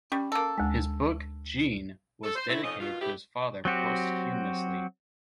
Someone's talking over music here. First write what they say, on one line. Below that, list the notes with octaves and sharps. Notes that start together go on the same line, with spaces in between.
His book "Gene" was dedicated to his father post-humously.
G3 C#4
A#3 A4
D2 G#3
A4
C5
A3 C4 E4
F2 F3 C#4 D#4 D#5
B2 D#3 F4
A2 B3 E4 G4
F#3 C4 F#4 G4